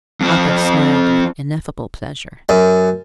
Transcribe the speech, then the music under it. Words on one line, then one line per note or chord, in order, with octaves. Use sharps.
Athos smiled with ineffable pleasure.
F2 C4
F#2